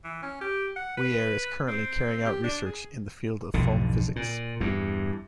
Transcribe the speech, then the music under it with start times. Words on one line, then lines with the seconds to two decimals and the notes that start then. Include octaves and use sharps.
Weaire is currently carrying out research in the field of foam physics.
0.05 E3
0.23 C#4
0.41 G4
0.76 F#5
0.97 B4
1.68 C4
2.26 G4
2.44 D4
2.66 G#4
3.54 B1 F2 G#2 D3
4.16 A#2
4.60 E2 G2